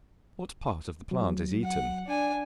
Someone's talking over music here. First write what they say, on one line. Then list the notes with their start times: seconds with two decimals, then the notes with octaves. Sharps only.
What part of the plant is eaten?
1.11 F#3
1.64 F#5
2.07 D4 G#5